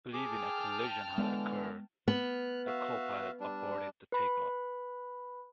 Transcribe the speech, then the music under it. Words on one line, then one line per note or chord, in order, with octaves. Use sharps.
Believing a collision had occurred, the copilot aborted the takeoff.
G#4 G5 A5 D6 F6
D3 E3 G#3 B3
B3 F6 F#6
F#4 E5 F5
G3 D4
B4 B5